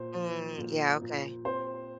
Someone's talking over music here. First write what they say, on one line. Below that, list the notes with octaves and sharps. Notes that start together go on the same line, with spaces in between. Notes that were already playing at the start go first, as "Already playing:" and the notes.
Mm, yeah, okay.
Already playing: A#2 C5
F3
A#2
A#2
C4 C5